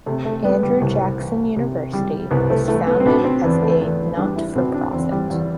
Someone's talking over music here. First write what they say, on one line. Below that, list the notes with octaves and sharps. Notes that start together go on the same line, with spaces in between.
Andrew Jackson University was founded as a not for profit.
C3 A3
A3
G3 B3
G3
C2
E3
C3
G3
C2 B3
A3
E3 A3
B3
C4
B2 D4
C4
E2 B3
A3
E2 B3
G3 D4
E4
B2 C4
D4
E2 C4
G3
E2